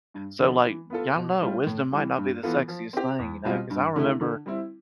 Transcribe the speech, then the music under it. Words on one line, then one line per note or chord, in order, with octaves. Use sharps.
So, like, y'all know wisdom might not be the sexiest thing, you know, 'cause I remember
G2
D3 F3 C4
E3
B3 F4 A4
B2
G3 C4 F4
A2
E3 G3
G2
E3 B3 F4 A4
F3
C4 G4
E2
B2 G3 C4 F4
G2
D3 A3 E4
D3
G3 C4 E4